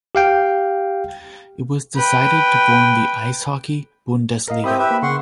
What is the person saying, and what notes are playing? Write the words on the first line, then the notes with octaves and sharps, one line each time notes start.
It was decided to form the "Eishockey Bundesliga".
G4 F5 G5
B4 G5
A#4 D#5 F5
C4 E4 G4 B5 D#6 G6
G4 B4 E5
A#3 B5
C#3 F#5 C6 C#6